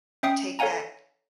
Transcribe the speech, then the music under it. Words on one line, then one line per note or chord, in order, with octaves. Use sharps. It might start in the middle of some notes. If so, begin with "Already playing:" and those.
take that
C#4 E5 G5 D#6 C7
A4 C#5 F5 F#5 G#5 A#5